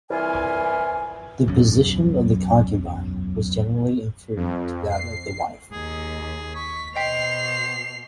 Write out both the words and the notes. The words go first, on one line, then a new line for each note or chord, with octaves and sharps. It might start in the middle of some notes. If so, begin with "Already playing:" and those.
The position of the concubine was generally inferior to that of the wife.
C2 E3 F4 G#5
E1 B1 F#2
F2
C7
D#2 G#4
C#6 B6
B2 C5 D#5 G5 B6 C7 F7